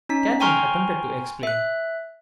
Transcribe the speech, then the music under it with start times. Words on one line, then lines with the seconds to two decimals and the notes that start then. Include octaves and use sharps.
Catherine attempted to explain.
0.09 C#4 D#4 B6
0.40 G5 G#5 A#5 C6 C#6 F6
1.43 E5 F#6